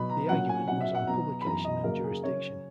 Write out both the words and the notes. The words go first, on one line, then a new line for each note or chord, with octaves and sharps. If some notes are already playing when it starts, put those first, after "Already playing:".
The argument was on publication and jurisdiction.
Already playing: B2 F#3 B3 B5
A#5
A#2 F#3 C#4 F#5
G#5
B2 F#3 C#4 F#5
E5
F#5
B2 F#3 B3 A#5
B5
F#2 E3 B3 A#5
D#5
C#3 F#3 A#3 A#4
G#4
C#3 F#3 C#4 C#5